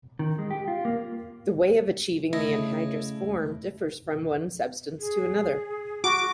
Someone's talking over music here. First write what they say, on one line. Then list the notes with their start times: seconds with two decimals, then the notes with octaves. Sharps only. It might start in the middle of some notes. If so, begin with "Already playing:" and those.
The way of achieving the anhydrous form differs from one substance to another.
0.19 D#3
0.38 G#3
0.50 G4
0.68 F4
0.85 A#3
2.33 C#3 A3 E4 D#5
5.00 G#4
6.04 F#4 D6